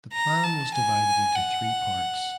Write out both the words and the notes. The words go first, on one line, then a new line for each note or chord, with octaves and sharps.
The plan was divided into three parts.
A#5
A5
G#5
F#5